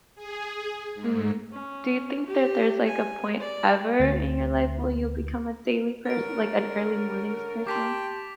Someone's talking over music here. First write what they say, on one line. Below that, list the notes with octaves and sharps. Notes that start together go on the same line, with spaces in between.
mhm do you think that there's, like, a point ever in your life where you'll become a daily pers like, an early mornings person?
G#4
G#2
C#4
G4
G#5
D5
D2 A6
D3 C#4 A#4 A6 D7
G4 G5 A5 C6 D6 B6 F7